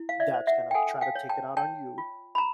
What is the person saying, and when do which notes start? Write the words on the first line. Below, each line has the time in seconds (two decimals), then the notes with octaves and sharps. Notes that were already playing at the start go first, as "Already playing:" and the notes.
that's gonna try to take it out on you
Already playing: E4
0.09 F5
0.20 D5 E5
0.34 C5
0.47 E5 F#5
0.71 G5
0.74 A4 F#5 G#5
1.01 F5 G5
1.15 C#5
1.29 G5 A5
1.57 C#5 G5 A5
1.98 F4
2.35 B5
2.38 A#5